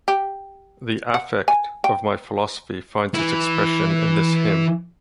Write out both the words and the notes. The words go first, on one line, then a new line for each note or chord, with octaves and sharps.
The affect of my philosophy finds its expression in this hymn.
G4
F#5
G#5
G5
E3 E4